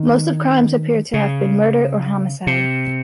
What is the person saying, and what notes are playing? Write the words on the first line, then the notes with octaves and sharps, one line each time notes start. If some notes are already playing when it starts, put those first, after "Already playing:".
Most of the crimes appear to have been murder or homicide.
Already playing: D#3
C#3
C3